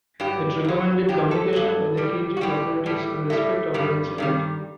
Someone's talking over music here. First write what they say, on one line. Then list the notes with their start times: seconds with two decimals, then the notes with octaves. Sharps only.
It recommended communication with the Kyrgyz authorities in respect of the incident.
0.20 G2 F#3 G4
0.65 G2 F#3
1.09 G2 F#3 G4
1.31 A4
1.53 G2 F#3
1.97 A2 G3
2.37 F#4
2.41 A2 G3 G4
2.86 A2 G3
3.30 A2 G3 A3
3.74 G2 D#3 G3
4.18 G2 D#3 G3